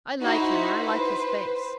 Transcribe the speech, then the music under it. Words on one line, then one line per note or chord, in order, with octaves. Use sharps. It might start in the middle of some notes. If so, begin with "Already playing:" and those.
"I like him, and I like his face."
D#4 E4 F#4 C5
B4 C5